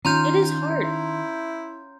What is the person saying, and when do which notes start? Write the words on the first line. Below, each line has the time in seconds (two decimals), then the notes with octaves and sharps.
It is hard.
0.05 D#3 C#4 F4 A#5 C6 G6
0.83 E4